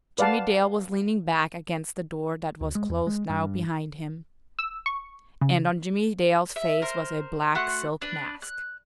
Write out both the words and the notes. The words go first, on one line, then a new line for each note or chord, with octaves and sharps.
Jimmie Dale was leaning back against the door that was closed now behind him--and on Jimmie Dale's face was a black silk mask.
B4 D5 F5 F#5 A5
D2
G#3
E2
G#3
G2
E6
C#6
C#3
E5
A#4 C5
A3 F#4 F#5 C6
D4 B4
F#6